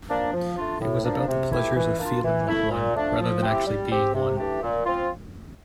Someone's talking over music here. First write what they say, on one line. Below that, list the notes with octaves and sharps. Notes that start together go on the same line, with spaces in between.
It was about the pleasures of feeling like one rather than actually being one.
F3 A#3 D4
F3
A3 D4 F4
A2
F3 A#3 D4
C3
E3 A3 E4 G4
E3
A#3 D4 F4
E3
A3 E4
A#2
F3 A3 D4
F3
C4 E4 G4
G3
C4 G4
C3
E3 A3 D4 G4
A#2
F3 C4 F4